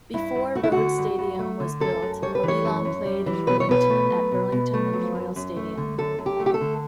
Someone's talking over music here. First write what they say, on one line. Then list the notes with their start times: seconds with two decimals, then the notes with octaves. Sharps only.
Before Rhodes Stadium was built Elon played in Burlington at Burlington Memorial Stadium.
0.14 G2 E4
0.35 G2
0.55 A3 F#4
0.63 E4
0.72 D3 F#4
0.98 G2
1.19 G2
1.39 A3
1.60 D3
1.80 F#2 A4
2.02 F#2
2.22 G3 C#5
2.35 B4
2.43 E3 C#5
2.65 F#2
2.85 F#2
3.05 G3
3.26 E3
3.47 B2 B4
3.60 C#5
3.69 B2 B4
3.90 A3
4.11 F#3
4.32 B2
4.52 B2
4.74 A3
4.93 F#3
5.15 F#2
5.36 F#2
5.56 A3
5.77 D3
5.98 F#2 A4
6.19 F#2
6.26 G4
6.40 A3
6.46 G4
6.54 A4
6.61 D3